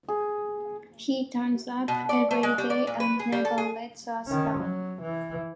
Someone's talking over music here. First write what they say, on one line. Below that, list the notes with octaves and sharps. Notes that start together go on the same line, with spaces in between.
He turns up every day and never lets us down.
G#4
B2
D5
A3
G#3
G3
D5
A#2
B4
G#4
G3
A4
G#4
D#3 C#4
F#3
E3